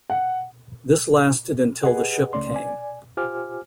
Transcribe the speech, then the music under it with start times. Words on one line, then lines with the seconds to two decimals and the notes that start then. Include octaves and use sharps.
This lasted until the ship came.
0.10 F#5
1.84 G4 G#4 B4 D#5 F#5
2.33 C#2 C#3 A3 C#4 D5 C6
2.55 D5 G#5
3.17 F4 G4 C5 G#5 D6 F6